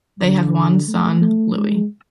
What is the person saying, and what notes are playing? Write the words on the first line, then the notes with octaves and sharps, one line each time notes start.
They have one son, Louis.
D3
A3
A3
G#3